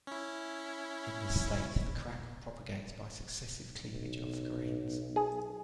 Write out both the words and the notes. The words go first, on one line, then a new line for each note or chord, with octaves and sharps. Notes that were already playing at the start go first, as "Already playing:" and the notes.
In this state, the crack will propagate by successive cleavage of the grains.
C#4 E4
B1
G#4